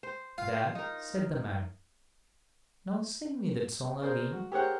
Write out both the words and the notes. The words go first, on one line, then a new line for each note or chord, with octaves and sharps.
"There," said the man, "now sing me that song again."
C5
F4 F5
D#4 A#4
G#4 A#4 C5 D5
F#4
G4 G#4 A#4 C5 C#5 F#5